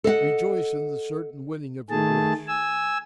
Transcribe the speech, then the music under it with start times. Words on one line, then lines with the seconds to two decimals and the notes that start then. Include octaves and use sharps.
Rejoice in the certain winning of your wish!
0.04 A4 D#5 F5 F#5
1.90 D#3 A3 G#4 A5
2.47 G#5 E6